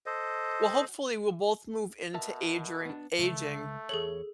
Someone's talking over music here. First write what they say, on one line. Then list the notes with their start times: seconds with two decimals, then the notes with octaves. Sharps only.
Well, hopefully, we'll both move into age ring aging
0.06 A4 C5 D#5
2.14 B2 A#4 E5 A5
2.85 B3 D4
3.18 C#2 G2 A3
3.89 E2 G#4 A4 C#5 F#7